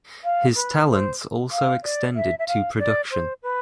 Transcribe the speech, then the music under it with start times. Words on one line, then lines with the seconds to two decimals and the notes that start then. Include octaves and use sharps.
His talents also extended to production.
0.24 F5
0.55 B4
0.88 C5
1.51 F5
1.84 D5
2.16 E5
2.39 E5
2.48 F5
2.79 D5
3.11 C5
3.43 B4